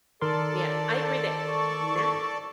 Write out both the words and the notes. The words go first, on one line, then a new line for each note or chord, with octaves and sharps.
Yeah, I agree that now,
D#3 A4 A#4 D5 C6
C#6